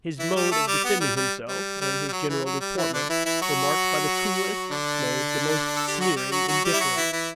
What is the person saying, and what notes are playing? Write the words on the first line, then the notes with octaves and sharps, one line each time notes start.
His mode of defending himself, and his general deportment, were marked by the coolest, nay, the most sneering indifference.
E3 E4
G3 G4
A3 A4
G3 G4
B3
G3
G3
G3
G3
G3
F#3
E3
F#3
G3
E3 E4
D3 D4
E3 E4
E3 E4
F#3 F#4
D3 D4
A4
G4
F#3 F#4
G3 G4
F#3 F#4
F#3 F#4
G3 G4
E4
F#3 F#4
E3 E4
E3 E4